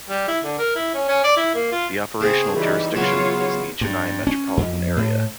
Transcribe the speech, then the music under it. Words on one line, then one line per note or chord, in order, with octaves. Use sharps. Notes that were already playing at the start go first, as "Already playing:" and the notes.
The operational jurisdiction is the Chennai Metropolitan area.
G3
E4
D3
A#4
E4
C#4
C#4
D5
E4
A#3
F4
C#3 C4 G#4
E3 G3 D#4
C#3 E3 F#3 B3 F4 C#5
G2
C#4
F2
A2